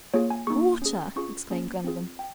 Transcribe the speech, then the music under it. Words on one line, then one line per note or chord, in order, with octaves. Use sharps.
"Water!" exclaimed Glenarvan.
A#3 F4 G#4 C#5
G#5
A#3 D#4 G#4 C#6
C#4 G#4
C#4 F4 G#4 C#6
A#3 C#4 G#4
C4 F4 G#4
G5